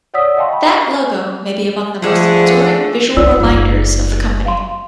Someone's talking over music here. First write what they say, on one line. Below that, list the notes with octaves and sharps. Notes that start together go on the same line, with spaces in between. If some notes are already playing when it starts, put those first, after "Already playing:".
That logo may be among the most enduring visual reminders of the company.
C#5 D5 F#5 D#6 E6 B6
D#5 F5 G5 A5 C6 C#6
B5
D3 F3 A3 G#4 F#5
D#4 F4 D5 E6
F#1 D#4
F5 C6